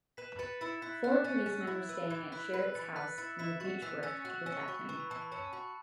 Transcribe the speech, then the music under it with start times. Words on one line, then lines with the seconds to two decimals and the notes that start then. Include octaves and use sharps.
Four policemen were staying at Sherritt's house, near Beechworth, to protect him.
0.17 B4 B6 E7
0.39 B4 A6 C#7
0.61 E4 A6 C#7
0.82 E4 F#6 B6
1.04 E4 F#6
1.24 C#4 A6
1.32 F#6
1.46 C#4
1.61 E6
1.67 E4
1.89 B4 E6
2.10 E3
2.32 E4 F#6 B6
2.53 B4
2.75 E3 A6 C#7
2.96 B4 F#6 B6
3.18 E4 A6 C#7
3.39 E4 B6 E7
3.60 F#4 A6 C#7
3.82 E3 F#6 B6
4.03 C#4 E6 A6
4.25 F#4 F#6
4.46 C#4 E6
4.53 C#6
4.61 B5
4.68 F#4 C#6
4.89 E3 C#6
5.00 B5
5.10 E3 A5
5.22 B5
5.32 C#4 A5
5.53 F#4 B5